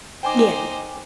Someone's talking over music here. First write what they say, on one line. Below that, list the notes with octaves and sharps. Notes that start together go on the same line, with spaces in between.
Yeah. Yeah. Yeah.
D#4 C5 G5 G#5 D6